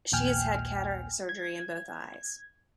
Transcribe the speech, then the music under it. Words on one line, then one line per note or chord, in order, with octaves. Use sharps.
She has had cataract surgery in both eyes.
A#1 D#2 A#2 G5 G#5 F6
G#6